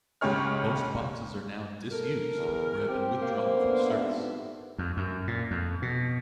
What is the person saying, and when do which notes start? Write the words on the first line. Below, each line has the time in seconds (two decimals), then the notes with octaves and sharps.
Most boxes are now disused or have been withdrawn from service.
0.21 C#2 G#2 C#3 G4 C#5 F6
1.92 A4 A#4
2.37 E2
2.89 C4 G4
3.22 A#3 C5
3.54 D3 B3
3.86 G#1 G2 E5
4.78 F2
4.97 F#2
5.27 A#2
5.51 F2
5.82 B2